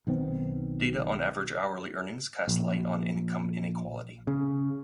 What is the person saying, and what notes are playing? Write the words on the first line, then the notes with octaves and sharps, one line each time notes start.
Data on average hourly earnings cast light on income inequality.
B1 D#3 B3 C4
A#1
C#3